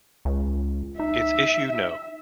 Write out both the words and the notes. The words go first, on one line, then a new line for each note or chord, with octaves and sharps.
Its issue no.
C#2
D#4 E5